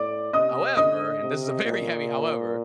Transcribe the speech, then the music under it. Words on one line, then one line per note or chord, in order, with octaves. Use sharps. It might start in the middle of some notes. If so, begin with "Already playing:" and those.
however, and this is a very heavy however,
Already playing: A2 D5 D6
C3 D#5 D#6
D3 D#5 D#6
C3
A#2